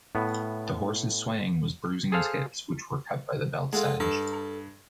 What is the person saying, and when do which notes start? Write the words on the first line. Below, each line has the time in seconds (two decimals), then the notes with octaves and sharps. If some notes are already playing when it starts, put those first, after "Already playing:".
The horse’s swaying was bruising his hips, which were cut by the belt’s edge.
0.15 A2 B3
2.12 G#4 A4 C5 F5 A5
3.73 G#3 F4 A4 F#5
4.00 G2 A4